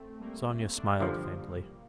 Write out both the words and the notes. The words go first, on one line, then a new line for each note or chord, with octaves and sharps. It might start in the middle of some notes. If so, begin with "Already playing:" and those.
Sonia smiled faintly.
Already playing: A3 C4
G3 A#3
D4
C4
G2 D3 F3 G3 A#3